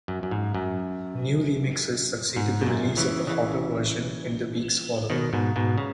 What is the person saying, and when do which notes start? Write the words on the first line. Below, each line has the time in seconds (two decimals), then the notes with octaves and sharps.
New remixes succeeded the release of the "Hotter" version in the weeks following.
0.08 F#2
0.23 F#2
0.31 G#2
0.54 F#2
2.36 G#2
2.61 B2
2.66 F#2 A#2
2.97 C#3 E3
3.27 C#3 E3
5.10 B2 D#3
5.33 G#2 B2
5.56 G#2 B2
5.78 C#3